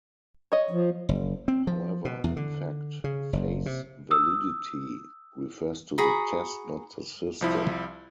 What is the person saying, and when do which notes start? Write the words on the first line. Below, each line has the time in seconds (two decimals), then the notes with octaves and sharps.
However, in fact "face validity" refers to the test, not the system.
0.52 C#5 D#5
0.71 F3
1.09 F#1
1.48 C4
1.67 F3
2.05 B2
2.24 E2
2.37 D3
3.04 C#3
3.33 F#1
3.66 C3
4.11 D#6 E6
5.98 F#4 G#4 A#5 B5
7.41 C2 F3 E4